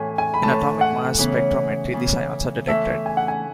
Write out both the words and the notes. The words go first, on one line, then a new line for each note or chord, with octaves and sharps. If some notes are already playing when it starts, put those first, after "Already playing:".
In atomic mass spectrometry, these ions are detected.
Already playing: A2 E3 A3 G#5
G#5
B5
A2 E3 A3 A5
F#5
C#3 E3 B3
C#3 E3 B3
E3 A3 E4 A4 E5
G#5
F#5
G#5